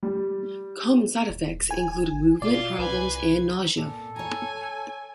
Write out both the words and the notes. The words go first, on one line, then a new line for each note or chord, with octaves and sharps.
Common side effects include movement problems and nausea.
G3
D#1
G#5
G#1
B2 F4 D5 C6
C2 B4 G#5
A#2 A4
C#5 G#5 A#5